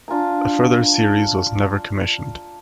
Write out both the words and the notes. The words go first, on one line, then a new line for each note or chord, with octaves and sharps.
A further series was never commissioned.
D4 F4 G#5 A#5